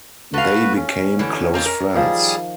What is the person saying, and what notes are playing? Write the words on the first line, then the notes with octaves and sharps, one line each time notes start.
They became close friends.
F#4 A4 B4 F5
C#4
D3 E3
A#3 C4 F4 D#5
A#4
D#3 F3 G3 G#4